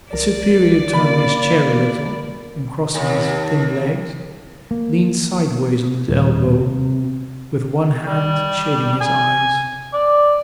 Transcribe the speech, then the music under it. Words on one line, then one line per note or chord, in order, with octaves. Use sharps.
His superior turning his chair a little, and crossing his thin legs, leaned sideways on his elbow, with one hand shading his eyes.
C2 A#4 D5
C#3 A#3 B5
D#2
A#3
D#1
C3
G3
G#5
D5